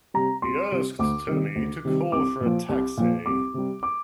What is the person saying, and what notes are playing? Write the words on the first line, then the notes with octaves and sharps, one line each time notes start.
He asked Tony to call for a taxi.
C3 G3 A#5
C2 C6
C3 G3
D2 D6
C3 D#3 G3
D2
C3 D#3 G3
C2 D6
A#2
F3
C2
A#2 F3
C2 D6
C3 G3
D6